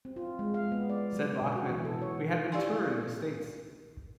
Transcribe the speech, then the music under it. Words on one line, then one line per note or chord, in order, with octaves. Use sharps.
Said Bachman: We had been touring the States.
C4
F4
G#3
F5
B3
D5
F#3
B2
F#4
E3
A4
C#5
E4 G4 D5 F5 G#5 C6